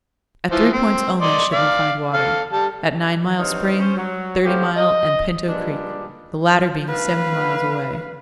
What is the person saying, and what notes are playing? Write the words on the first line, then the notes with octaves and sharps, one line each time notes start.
At three points only should we find water, at Nine Mile Spring, Thirty Mile and Pinto Creek, the latter being seventy miles away.
E3 F3 C5
C4
D5 D#5 C6
D5 F5
A4 F5
G3 A5
G2 C4 D#4 C#5 F5
C#4 C5
F#3
A2 F3 F#3 C4 G4
D#5
G2 A#2 G3 G#3 D4
B4 F5